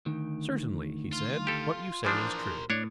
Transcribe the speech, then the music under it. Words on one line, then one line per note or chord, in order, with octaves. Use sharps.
Certainly, he said, what you say is true.
D2 D#3
F4
G4 A4
E3 F3 D4 A#4 C5
A2 D4 C#5